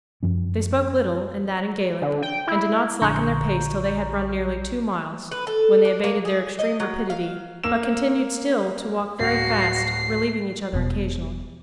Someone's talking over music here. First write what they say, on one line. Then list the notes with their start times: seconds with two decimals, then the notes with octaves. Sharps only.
They spoke little, and that in Gaelic; and did not slacken their pace till they had run nearly two miles, when they abated their extreme rapidity, but continued still to walk very fast, relieving each other occasionally.
0.23 F#2 F3 C#4
2.02 D3
2.23 G5
2.47 E4
3.01 A#1 D3 A#5 C#6 G6
5.31 B4
5.47 A4
5.85 D4
6.04 A#3
6.25 G#4
6.59 D#5
6.80 F#3
7.10 F5
7.64 A#3 E6 E7
9.20 D1 F#4 F5 C7
10.73 E1 B2